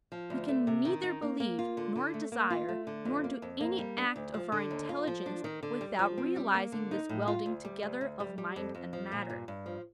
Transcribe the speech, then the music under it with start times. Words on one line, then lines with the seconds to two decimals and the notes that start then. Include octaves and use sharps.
We can neither believe, nor desire, nor do any act of our intelligence without realising this welding together of mind and matter.
0.12 F3
0.30 D2
0.48 A3
0.67 C3
0.85 D#3
1.03 D#4
1.22 A#3
1.40 A#3
1.59 F4
1.77 D3
1.95 D3
2.14 A3
2.32 A#3
2.50 F4
2.69 A3
2.87 D3
3.05 F2
3.24 A#3
3.42 F2
3.61 A#3
3.79 G3
3.97 D4
4.16 D2
4.34 F3
4.52 D3
4.71 D#2
4.89 F4
5.07 F3
5.26 D4
5.44 D#3
5.63 D3
5.81 G3
5.99 F3
6.18 C4
6.36 G3
6.54 A#3
6.72 D3
6.91 D#4
7.09 A2
7.28 F4
7.46 D2
7.65 G3
7.83 D2
8.01 D2
8.20 G3
8.38 G3
8.56 F2
8.75 F2
8.93 F3
9.12 A#2
9.30 G2
9.48 G2
9.66 F3